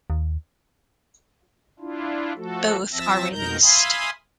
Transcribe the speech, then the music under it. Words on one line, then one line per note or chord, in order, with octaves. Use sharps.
Both are released.
D#2
D4 E4 F4
F3 A3 F#4 A4
F3 C4 E5 A5 E6 A#6
F2 B2 D#4 A#4 A#5 G6
E5 F5 G#5 B5 C6 D#6